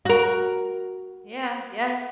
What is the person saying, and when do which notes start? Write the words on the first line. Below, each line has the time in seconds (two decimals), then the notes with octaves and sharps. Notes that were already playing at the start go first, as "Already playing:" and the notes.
Yeah, yeah.
0.05 F#4 A#4